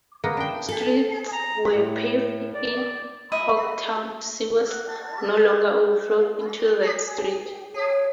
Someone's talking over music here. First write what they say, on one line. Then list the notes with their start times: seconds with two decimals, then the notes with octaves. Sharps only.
Streets were paved in hog town, sewers no longer overflowed into the dirt streets.
0.24 A#3 B3
0.37 D4 G5
0.68 A4
1.33 A#5
1.75 A2
2.54 D5
3.32 D#5 E5 B5
7.76 C#5